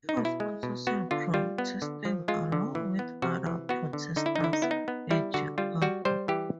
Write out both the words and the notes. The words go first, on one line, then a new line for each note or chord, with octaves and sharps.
He was also seen protesting along with other protesters in Chicago.
D#4
B2
E4
G#3
B2
B3 F#4
D3 F4
G3 F4
B3
D3
F3
G#3 F4
D3
E3
B3
C3 F#4
E3
B3 F#4
D3
D3 D#4
E4
D#4
D3 E4
D#4
B3 E4
D#4
B3
G3 E4
D3 F#4
G3 F4
G3 F#4
G3 C5
E3 G4